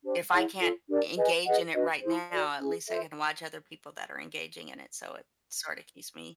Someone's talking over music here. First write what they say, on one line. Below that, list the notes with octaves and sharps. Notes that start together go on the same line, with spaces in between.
If I can't engage in it right now at least I can watch other people that are engaging in it, so it sorta keeps me
D4 G4 C5
E4 G#4 C#5 F#5
F4 A4 C#5
D4 G4 A#4 D5
G#4 B4 D#5 G#5
G#4 B4 D#5 F#5
D4 F#4 B4 D#5
E4 G#4 C5
F#4 A4 D5
C#4 E4 G#4
F4 A4 C5 E5